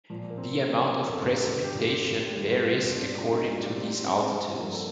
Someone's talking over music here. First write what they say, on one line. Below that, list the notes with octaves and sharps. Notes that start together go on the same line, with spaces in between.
The amount of precipitation varies according to these altitudes.
A#2 F3
A#3
C4
A#3
C4
A4
G2 D3 G3 A#4
A4
A4
G4
F4
G4
G2 D#3 G3
F4
C4
D4
F4
D#4
A2 G3 F4
G4
C4
C4
C4
C4
G2 F3 A#3
A4